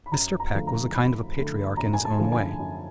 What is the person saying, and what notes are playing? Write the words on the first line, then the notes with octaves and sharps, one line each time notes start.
Mr. Peck was a kind of a patriarch in his own way.
B5
F#2 A#5
A#5
D3 F3 A3
A#5
F#2 B5
D3 F3 A3
F#2 A#5
G#5
A5
D3 F3 A3
G#5
F#2